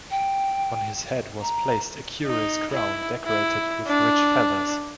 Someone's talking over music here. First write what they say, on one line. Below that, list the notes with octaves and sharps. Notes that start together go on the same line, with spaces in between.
On his head was placed a curious crown decorated with rich feathers.
G5
A#5
D#4
E4
E4
D4